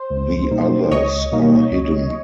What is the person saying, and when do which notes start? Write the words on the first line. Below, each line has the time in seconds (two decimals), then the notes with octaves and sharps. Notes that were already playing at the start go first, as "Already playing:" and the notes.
The others are hidden.
Already playing: C5
0.10 C#2
0.51 B2 G3 A#3 D#4
0.91 C#2 C#5 D#5
1.32 B2 G3 A#3 D#4
1.72 C#2